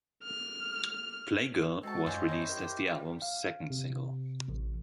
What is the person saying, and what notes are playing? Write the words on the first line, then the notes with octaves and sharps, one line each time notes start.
"Playgirl" was released as the album's second single.
F6
G#3 C4 F#4 A4 A5
F#2 G3 C#4 F4 C5 D#5
E4 C#5
G4 A#4
G3 F4
F5
C3
A1